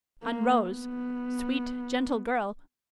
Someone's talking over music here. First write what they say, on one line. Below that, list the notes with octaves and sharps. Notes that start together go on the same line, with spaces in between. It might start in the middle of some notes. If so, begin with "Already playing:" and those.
On Rose, sweet, gentle girl!
A#3
B3